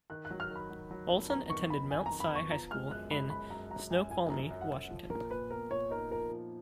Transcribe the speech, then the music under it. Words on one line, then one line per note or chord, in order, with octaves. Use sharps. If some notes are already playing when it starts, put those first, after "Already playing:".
Olson attended Mount Si High School in Snoqualmie, Washington.
D#3 F#6
F#6
F#3
F6
D#3 B5
F#3
F#3
F2
B3 A#5
D#3 C#6
D#3 B5
F2 G#5
D#3 A#5
B5
B3 C#6
F3 A#5
G#3 F6
F#2 F#6
G#3 B5
F#2 B5
F#2 A#5
F#2 A#5
F#2 G#5
F3 G#5
F#2 A#5
F#2
F#5
F#2
F3
A#2 A#4
A#2 B4
B3 A#4
A#2 C#5
D#4 A#4
F3 A#4
F3